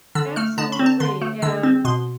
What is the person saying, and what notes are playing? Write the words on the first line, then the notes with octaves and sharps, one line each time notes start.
Absolutely, and
D3 E6
A3 F6
D3 A5
B5
C4
A5
D3 C6
A3
D3 E6
C4
B2 C6